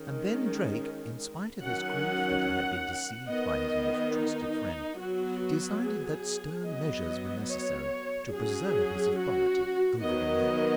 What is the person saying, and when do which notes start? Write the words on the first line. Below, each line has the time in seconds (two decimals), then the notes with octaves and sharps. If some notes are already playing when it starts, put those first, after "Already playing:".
And then Drake, in spite of his grief that he had been deceived by his most trusted friend, decided that stern measures were necessary to preserve his authority over the men.
Already playing: D#3 G#3 C#4
1.60 D#3 F#3 C#4 F#5
3.28 D#3 B3 D#5
4.12 D#4
4.96 F#3 B3 F#4
5.81 G#4
6.65 F#3 B3 D#5
7.49 C#5
8.33 F#3 C#4 G#4
9.18 F#4
10.01 D#3 F#3 B3 D#5